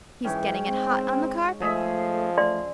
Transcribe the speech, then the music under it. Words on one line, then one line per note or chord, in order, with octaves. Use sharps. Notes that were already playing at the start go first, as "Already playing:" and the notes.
'He's getting it hot on the carpet.'
G#2 E3 C#4 G5
C4
F3 A3 G#4 D#5 E5
A3 D5 C6